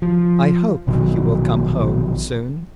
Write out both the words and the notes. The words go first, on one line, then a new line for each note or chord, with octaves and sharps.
I hope you will come home soon.
F3
A#1 B2 D#3 F#3